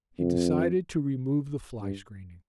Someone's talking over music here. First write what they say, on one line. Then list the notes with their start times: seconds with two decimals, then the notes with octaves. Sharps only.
He decided to remove the fly-screening.
0.19 F2
1.81 G2